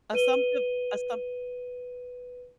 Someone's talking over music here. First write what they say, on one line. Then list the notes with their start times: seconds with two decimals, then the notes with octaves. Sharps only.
Assumptive assump
0.13 B4 D#7 G7